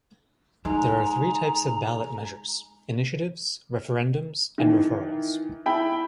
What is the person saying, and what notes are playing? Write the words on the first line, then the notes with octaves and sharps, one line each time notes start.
There are three types of ballot measures: initiatives, referendums, and referrals.
G#3 D#4 G#5 A#5
D#3 E3
E4 G5 B5